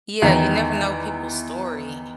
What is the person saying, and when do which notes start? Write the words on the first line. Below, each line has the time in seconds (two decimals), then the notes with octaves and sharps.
Yeah, you never know people's story.
0.22 E2 D#3 E3